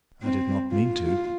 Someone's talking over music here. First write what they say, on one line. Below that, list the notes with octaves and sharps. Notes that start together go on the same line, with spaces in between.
I did not mean to.
C4
F4
F4